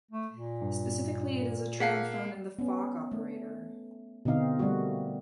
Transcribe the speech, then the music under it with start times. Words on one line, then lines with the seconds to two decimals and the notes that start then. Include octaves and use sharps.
Specifically, it is a term found in the Fock operator.
0.11 A3
0.33 A#2
0.62 G2
1.80 A#3 G#4 F5 F#5 A5 B6 C7
2.59 B3 C#4
3.12 A3
4.25 B2 D3 C4 D#4 F5
4.59 G3 A3 A#3 F#4